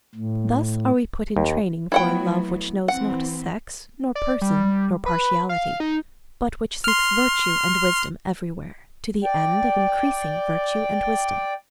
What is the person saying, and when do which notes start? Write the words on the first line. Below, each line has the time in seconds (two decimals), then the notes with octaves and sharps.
Thus are we put in training for a love which knows not sex, nor person, nor partiality, but which seeks virtue and wisdom everywhere, to the end of increasing virtue and wisdom.
0.15 A2
1.37 D#2
1.92 F#3 A3 B3 E4 F#5 G5
2.88 E3 C4 F#5
4.15 D5
4.42 G3
5.06 B4
5.49 F5
5.80 D#4
6.84 C6 F6
9.24 D5 G5